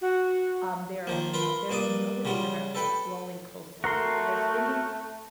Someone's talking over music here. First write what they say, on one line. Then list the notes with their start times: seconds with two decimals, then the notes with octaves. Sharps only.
um, there are no there's no way that they're not gro growing close to these people. They're spending
0.01 F#4
1.07 D#3 F3 A#3
1.33 F4 A#4 B4 B5 C6
1.70 G2 A#3 D5 D6 D#6
2.25 C#3 F#3 G3 F4
2.75 A4 B4 G5 B5
3.84 A3 F#4 A#4 C6